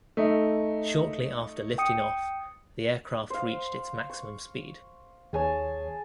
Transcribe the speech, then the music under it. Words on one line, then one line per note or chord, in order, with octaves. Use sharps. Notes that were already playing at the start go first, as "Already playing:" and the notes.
Shortly after lifting off, the aircraft reached its maximum speed.
A3 D#4 A4
G5 D#6 C#7
C5 F5
C#6
D#2 G#4 C#5 G#5 A5